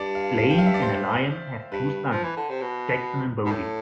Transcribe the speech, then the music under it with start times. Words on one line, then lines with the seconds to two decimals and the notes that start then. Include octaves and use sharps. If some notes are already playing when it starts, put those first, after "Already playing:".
Blaine and Aliane have two sons, Jackson and Bodhi.
Already playing: G2 D5
0.15 F5
0.38 F5
0.51 G5
0.58 F5
0.66 E5
0.74 D5
0.82 C5
1.72 G2 B4
2.11 F3
2.24 E3
2.37 D3
2.49 C3
2.61 B2
3.45 B2
3.51 A2 A4